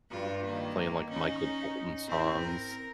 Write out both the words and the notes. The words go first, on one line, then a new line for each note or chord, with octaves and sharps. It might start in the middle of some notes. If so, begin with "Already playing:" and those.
playing, like, Michael Bolton songs.
G2 F4
D#3 A#3
C#4 D#4
C4 E4
A#4